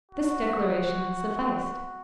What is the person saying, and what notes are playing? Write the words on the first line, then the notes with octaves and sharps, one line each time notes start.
This declaration sufficed.
F#4
F#4